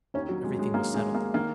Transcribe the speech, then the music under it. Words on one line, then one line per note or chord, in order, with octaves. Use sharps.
Everything was settled.
D#2 D#3 C#4
F#3
G#3
G#3
A#3
G#3
A#3
D#3 A#3